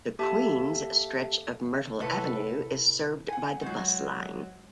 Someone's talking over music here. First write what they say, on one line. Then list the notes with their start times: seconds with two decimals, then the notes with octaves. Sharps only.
The Queens stretch of Myrtle Avenue is served by the bus line.
0.19 A#3 G4 A4 E5 A5
2.00 A2 C3 A4 B4 F#5
3.29 F#5 G#5
3.62 F#3 G#3 F#4 C5